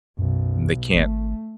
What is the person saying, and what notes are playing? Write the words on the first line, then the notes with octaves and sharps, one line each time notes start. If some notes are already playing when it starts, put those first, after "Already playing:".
They can't
B1 F#2
G#1 A3